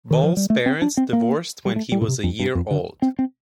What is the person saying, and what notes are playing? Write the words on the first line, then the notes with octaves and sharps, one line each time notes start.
Ball's parents divorced when he was a year old.
D#3
F3
G3
A3
C4
D4
C4
A#3
G3
A3
G3
A#2
C3
F2
G2
F2
D3
C4
C4